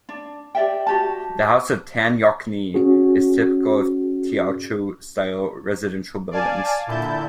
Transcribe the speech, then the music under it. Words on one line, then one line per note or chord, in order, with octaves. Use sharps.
The House of Tan Yeok Nee is typical of Teochew-style residential buildings.
D4
G4 D5 E5 G5
F#4 G4 A5
C#4 F#4 G#4
D5 F5 G#5 A5
A#2 D3 E4 A5 G6